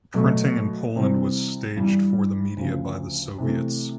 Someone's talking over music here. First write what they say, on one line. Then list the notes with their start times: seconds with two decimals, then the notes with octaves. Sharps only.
Printing in Poland was staged for the media by the Soviets.
0.14 B2 F#3 A3
0.96 C3 E3 G3 C4
1.76 G2 E3 G3
2.57 D2 C#3 F3
3.38 C3 E3 A3